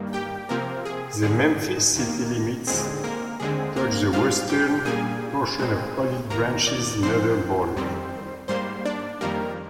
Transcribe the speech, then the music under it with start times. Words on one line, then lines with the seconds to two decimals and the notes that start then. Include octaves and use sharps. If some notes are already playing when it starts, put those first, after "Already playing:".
The Memphis city limits touch the western portion of Olive Branch's northern border.
Already playing: G2 D#3 G3 A#3
0.13 G4 G5
0.49 C3 F3 A#3 C4 A#4
0.85 G#4
1.22 G2 D3 G#3 G#4
1.96 D#2 D#3 A#3
2.67 D#2 D3 G#3 C4 G#4
3.04 A#3 A#4
3.40 D#2 D3 G#3 C4 G#4
3.76 A#3 A#4
4.13 G#2 G3 C4 F4 F5
4.49 G4 G5
4.85 A#2 G3 A#3 G#4 G#5
5.58 A#2 G#3 C4
6.30 D#2 D#3 A#3 A#4 A#5
6.67 D5 D6
7.03 G#2 F3 C4 C5 C6
7.76 F2 D#3 G3 C4
8.48 G#2 G3 A#3 C5 C6
8.85 D4 D5
9.21 F2 D#3 G3 A#3 A#4